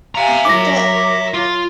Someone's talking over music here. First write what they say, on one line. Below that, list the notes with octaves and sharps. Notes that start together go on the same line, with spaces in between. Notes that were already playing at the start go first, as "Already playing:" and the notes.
I think that
E5 F5 G#5 A#5
F#3 A#4 C#5 D6 A#6
F4